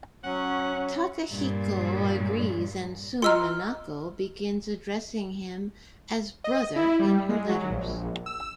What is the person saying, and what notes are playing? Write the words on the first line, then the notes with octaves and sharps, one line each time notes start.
Takehiko agrees, and soon Nanako begins addressing him as "brother" in her letters.
F#3 C#4 F#5
G2 A#2
F4 D#5 A#5 C6 E6 F6
D#5
E4
G3
G#3
F#3
A#1
E6